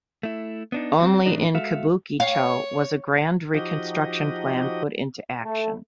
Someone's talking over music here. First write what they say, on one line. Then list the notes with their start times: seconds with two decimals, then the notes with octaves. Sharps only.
Only in Kabuki-cho was a grand reconstruction plan put into action.
0.23 A3 E4
0.72 B3 D4 D#4
1.00 F#3 C4
1.25 A2 E3 D4 D#4 A#4 D5
1.55 G#3 F#4 A4 E5 F5
2.20 C#5 F5
3.54 F3 D#4 F#4 G4 D#5
5.42 A3